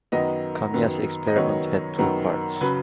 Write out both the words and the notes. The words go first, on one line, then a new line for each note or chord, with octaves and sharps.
Kamiya's experiment had two parts.
F#2 D#3 F#3 B3 D#5
F#2 D#3 F#3 B3
D#5
F#2 D#3 F#3 B3 C#5
F#2 D#3 F#3 B3
C#3 F#3 B4